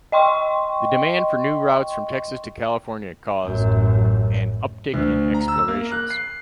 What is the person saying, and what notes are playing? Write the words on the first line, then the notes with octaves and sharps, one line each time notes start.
The demand for new routes from Texas to California caused an uptick in explorations.
D#5 G5 C6 C#6
A1 F#2
D2
A#5
E6
A#3
F#6
C7